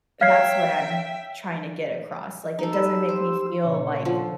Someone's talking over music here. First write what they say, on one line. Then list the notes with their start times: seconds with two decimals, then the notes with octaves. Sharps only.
that's what I'm trying to get across, like it doesn't make me feel like,
0.21 C#5 E5 F5 G5 F6 G#6 C7
2.59 D#4 A4
2.73 G4 B4 E6
3.09 C5
3.65 A#2 C#3 C#5
4.05 D3 F3